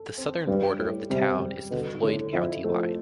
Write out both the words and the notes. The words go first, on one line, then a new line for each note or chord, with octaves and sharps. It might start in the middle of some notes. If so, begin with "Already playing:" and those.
The southern border of the town is the Floyd County line.
Already playing: A4
C4
G2 G3
A2 G4
C3 G3
G3
B2 D3
A2 D3
F2 E4
F2 A3